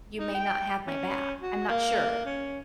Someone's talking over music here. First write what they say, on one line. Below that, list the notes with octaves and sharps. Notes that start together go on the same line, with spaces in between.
you may not have my back. I'm not sure."
D#4
G5
C#4
F#4
A#3
C#4